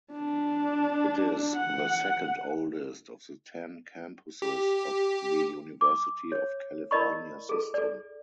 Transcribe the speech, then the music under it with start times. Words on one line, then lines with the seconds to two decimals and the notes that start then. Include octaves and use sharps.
It is the second-oldest of the ten campuses of the University of California system.
0.13 D4
1.56 F#5
4.42 G4
5.81 D6
6.32 C#5
6.91 E4 A#4 D5 D#5 B5 C#6
7.49 G#4 A4
7.74 A4 D5